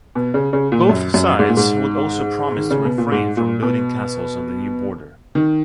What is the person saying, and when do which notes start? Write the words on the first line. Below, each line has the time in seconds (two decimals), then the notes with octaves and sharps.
Both sides would also promise to refrain from building castles on the new border.
0.15 B2
0.34 C#3
0.53 C#3
0.72 A#2
0.89 F#2
1.14 F#2
1.39 G#2
1.49 A#2
1.57 G#2
2.57 D#3
2.71 C#3
2.85 B2
2.98 A#2
3.12 G#2
3.37 A#2
3.62 B2
5.35 D#3